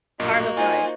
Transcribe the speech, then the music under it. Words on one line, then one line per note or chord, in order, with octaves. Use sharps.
part of life.
B1 G2 A#2 A#3 F#4 D#5
D#4 F4 C5 D#5 G#5